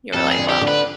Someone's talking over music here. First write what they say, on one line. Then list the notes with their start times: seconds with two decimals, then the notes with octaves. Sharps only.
we were like, "Well,
0.14 F2 A4
0.32 G#4
0.38 D3
0.49 G4
0.61 D3
0.68 B4